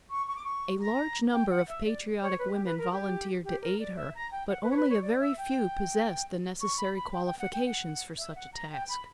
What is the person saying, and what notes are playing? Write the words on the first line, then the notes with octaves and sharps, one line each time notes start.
A large number of patriotic women volunteered to aid her, but only a very few possessed the necessary qualifications for such a task.
C#6
C#6
D6
C#6
A#5
G5
F#5
E5
D5
C#5
B4
G4
B4
A#4
G4
G4
A#4
D5
E5
A#5
G5
F#5
B4
C#5
B4
C#5
D5
E5
G5
C#6
B5
B5
G5
G5
F#5
G5
F#5
E5
F#5
A#5
G5
B5